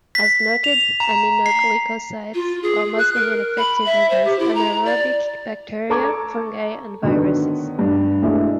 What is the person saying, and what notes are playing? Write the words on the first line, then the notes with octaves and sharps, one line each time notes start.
As noted, aminoglycosides are mostly ineffective against anaerobic bacteria, fungi, and viruses.
B6
F7
A#5
C7
F4
G#4
F#6
A#4
B5
E5
C5
G4
E4
A#5
D5
A4 A5 A#5 C#6 D6 G#6
D3 D#3 F#3 B3
G2 D4
B2 G#3 A3 D4 E4